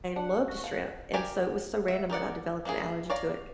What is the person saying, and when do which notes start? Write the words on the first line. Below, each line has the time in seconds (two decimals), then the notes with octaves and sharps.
I loved shrimp, and so it was so random that I developed an allergy to it,
0.16 D4 F#5
0.48 F#4
0.64 F3 F#5
1.14 G4 A#4 D5 G#5
1.88 E5
2.10 D#4 A#4 D5 F#5
2.65 A#3 D4 E4 G#4
3.10 C#5 D5 F5 A#5